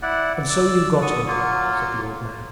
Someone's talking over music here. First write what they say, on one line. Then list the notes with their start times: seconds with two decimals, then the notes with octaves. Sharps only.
'And so you got him!' said the old man.
0.02 E4 D5 F#5
0.50 D5 E6
1.02 B3 C#6 D#6
1.27 F#3 A#3 F4